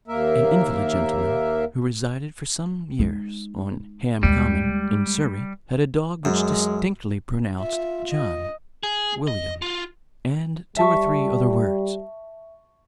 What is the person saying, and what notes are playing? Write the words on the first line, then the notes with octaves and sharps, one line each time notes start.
An invalid gentleman, who resided for some years on Ham Common, in Surrey, had a dog which distinctly pronounced John, William, and two or three other words.
D#2 A#3 A#4 E5
G#3 D#4
D#2 G3 G#3
F#2 G#3
F4 E5
D#5
G#4
D#5
F4
G3 E5 A5 C#6